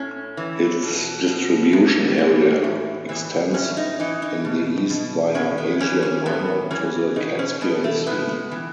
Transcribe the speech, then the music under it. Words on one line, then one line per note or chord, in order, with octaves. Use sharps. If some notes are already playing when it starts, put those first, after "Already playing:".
Its distribution area extends in the east via Asia Minor to the Caspian Sea.
Already playing: A2 C#4
E3
B2
B2
A2
E3
A2
E3
A2 C#4
D#4
E3 D#4
D#4
B2
B2
A2 C#4
B3
E3 C#4
C#4
A2 B3
E3 C#4
B2 D#4
C#4
B2 B3
A3
A2 B3
E3